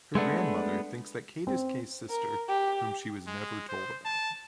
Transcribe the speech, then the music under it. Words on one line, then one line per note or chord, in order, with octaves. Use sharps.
Her grandmother thinks that Kate is Kaye's sister whom she was never told about.
G#3 A3 B3 D4
C4
A#4
G4
G#3
C5
A5